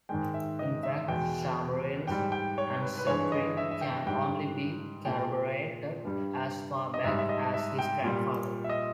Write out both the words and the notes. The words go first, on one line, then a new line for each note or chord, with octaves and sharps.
In fact, Somairle's ancestry can only be corroborated as far back as his grandfather.
G#2 D#3 G#3 G5
E5
D#5
E5
E2 B2 G#3 G5
G#2 G3 G5
G5
C#5
B4
B4
G2 E3 G#3 C#5
D#5
E5
E5
G5
G#2 G3 G5
A#2 G#3 G5
G2 G3
D#5
G#2 G3 E5
E5
D#5
E5
G5
A#2 G3
E5
D#5